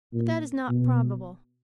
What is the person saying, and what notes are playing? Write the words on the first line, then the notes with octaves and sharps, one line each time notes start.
But that is not probable.
A#2
B2